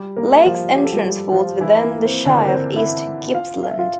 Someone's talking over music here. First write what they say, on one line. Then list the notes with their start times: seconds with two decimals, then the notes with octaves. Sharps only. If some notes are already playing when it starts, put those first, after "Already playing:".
Lakes Entrance falls within the Shire of East Gippsland.
Already playing: G3 G4
0.16 A#3 A#4
0.45 F3 F4
0.75 G4
0.84 A4
0.92 G3 G4
1.03 G3 G4
1.32 F3 F4
1.60 E3 E4
1.83 A#3
2.05 C4
2.25 D3 D4
2.38 A#4
2.47 C4 C5
2.76 E4 E5
3.34 F4 F5
3.63 F5
3.71 E5
3.79 F4 F5